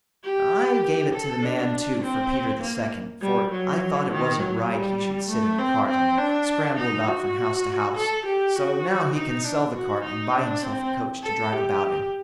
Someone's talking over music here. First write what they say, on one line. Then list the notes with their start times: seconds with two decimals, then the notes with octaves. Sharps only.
'I gave it to the man too for Peter the second, for I thought it wasn't right he should sit in a cart, and scramble about from house to house; so now he can sell the cart and buy himself a coach to drive about in.'
0.24 G4
1.13 A4
1.43 D4
2.03 C4
2.62 A#3
3.21 G3
3.51 F#3
4.11 D#3
4.40 F#3
4.69 G3
5.29 A3
5.58 C4
5.88 C4
6.18 D4
6.77 D#4
7.07 F#4
7.95 A4
8.26 G4
8.56 F#4
9.16 D#4
9.44 D4
9.75 F#4
10.04 D#4
10.34 D4
10.63 C4
11.23 A4
11.53 G4